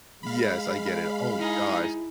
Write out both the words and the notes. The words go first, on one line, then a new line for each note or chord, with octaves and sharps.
Yes, I get it. Oh gosh.
G#3 F5 B5
D#4 E4 G#4